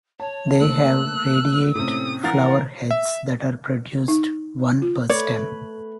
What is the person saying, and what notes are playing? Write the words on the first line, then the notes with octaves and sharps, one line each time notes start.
They have radiate flower heads that are produced one per stem.
C#5 A5
A3 A#3 E6 F#6
A2 C3 C4 C#4 D#6
E3 A#4 F5 F#5 A6
E5
D#4
F4
A3 B4 C#5 D5